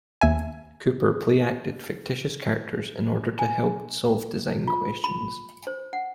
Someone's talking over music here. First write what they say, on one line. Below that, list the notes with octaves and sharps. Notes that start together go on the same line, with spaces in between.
Cooper play-acted fictitious characters in order to help solve design questions.
D#2 E5 G#5
G#5
F4
B5
C5
F#5